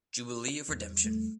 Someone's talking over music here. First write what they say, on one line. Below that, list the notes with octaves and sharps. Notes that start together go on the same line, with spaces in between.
Jubilee of Redemption.
E2 G3
A3